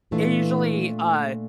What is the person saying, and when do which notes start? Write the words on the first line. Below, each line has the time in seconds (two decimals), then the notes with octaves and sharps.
it usually, uh,
0.12 A#2 E3 A3 D4 F4